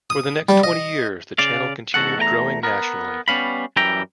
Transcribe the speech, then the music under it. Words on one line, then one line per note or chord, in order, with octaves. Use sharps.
For the next twenty years, the channel continued growing nationally.
D#6
G3
D#5
C#3 D5 F5
E2 G#2 F#4 A4 F#5
E2 A3 G5 A#5
B3 A#4
G3 B3 C#4 F5 B5
F#2 E3 G3 E5 G5 A#5